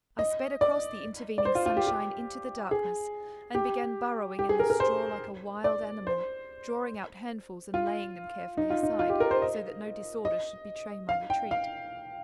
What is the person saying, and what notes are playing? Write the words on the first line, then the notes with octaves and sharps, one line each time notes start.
I sped across the intervening sunshine into the darkness, and began burrowing in the straw like a wild animal, drawing out handfuls and laying them carefully aside, so that no disorder should betray my retreat.
D#5
D5
D5
C5
F4
F4
G4
G4
G#4
G4
G4
G#4
A#4
A#4
C5
D5
C5
F4
D#4
F4
D#4
F4
G4
A#4
C5
D#5
D#5
F5
G5
F5